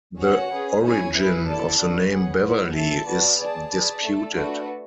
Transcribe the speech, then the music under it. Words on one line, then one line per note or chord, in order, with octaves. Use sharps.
The origin of the name Beverly is disputed.
C#4 F#4 C#5 F#5
C#4 G#4 B4
C#4 E4 G#4 C#5 G#5
E4 G#4 B4 E5
B3 E4 A4 D5 A5
D4 F#4 B4
C#4 G#4 B4 F#5
B3 E4 B4 F#5
C#4 E4 A4 E5 A5
B3 F#4 B4 D5 A5
G#4 D5 A5
G#4 B4 D5 A5
A3 D4 A4
A3 D4 F#4 B4